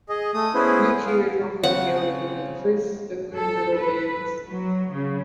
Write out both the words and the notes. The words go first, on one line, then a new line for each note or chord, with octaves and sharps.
Blue Cheer is often hailed as one of the first stoner metal bands.
G#4 D#5
A3 D#6
B3 C#4 E4 G#4 B4 C5
B3 F5
C#3 C4 C#4 F4 C#5 F#5
A4
B4
F#3
C#3